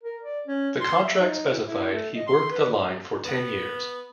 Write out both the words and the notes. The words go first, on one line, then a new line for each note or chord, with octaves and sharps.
The contract specified he work the line for ten years.
A#4
D5
C#4
C6
E5
D#4
E4
E4
A3
D#5
C6
B4
B3